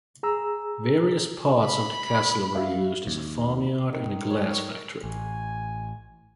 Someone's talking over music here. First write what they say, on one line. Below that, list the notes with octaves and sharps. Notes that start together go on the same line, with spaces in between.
Various parts of the castle were used as a farmyard and a glass factory.
G#4 A#5 E6
B5
F#4 E5 F5
D#2
D#3
C#5
C#5
A1 G#5